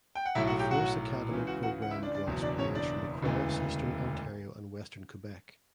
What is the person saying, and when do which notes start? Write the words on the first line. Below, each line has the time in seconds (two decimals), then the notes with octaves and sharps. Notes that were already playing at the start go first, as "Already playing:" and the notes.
The Force Academy program draws players from across Eastern Ontario and Western Quebec.
0.15 G5
0.25 F#5
0.35 B1 A2 F#3 E4 E5
0.47 F#4 F#5
0.59 G4 G5
0.71 F#4 F#5
1.31 C#2 C#3 E3
1.47 F#4 F#5
1.62 F#4 F#5
1.82 F#5
1.91 E4 E5
2.03 D4 D5
2.14 D4 D5
2.27 F#1 E2 B2 F#3
2.42 D4 D5
2.58 C#4 C#5
2.75 D4 D5
3.22 E1 D2 C#3 E3